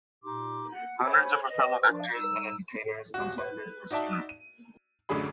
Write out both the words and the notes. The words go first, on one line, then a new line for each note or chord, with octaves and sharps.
Hundreds of her fellow actors and entertainers attended her funeral.
A#2 D#4 G4 C6 D6
F#5
C5 C#5 G#5 B5
B4 D#5
F3 D4
G3 D#4 E6
D#1 F#4
B4
D#4 F#4 D5 E5 A5
D#7
A1 F#2 D3 F#3 G#4 B5